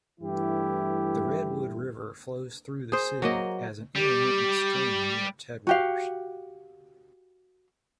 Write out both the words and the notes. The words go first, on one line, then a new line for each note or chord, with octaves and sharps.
The Redwood River flows through the city as an intermittent stream near its headwaters.
G2 E3 G3 A3 E4 G4
G#4 C5
F#3 A#3 D#5
G3 G4
F#4 G4 F5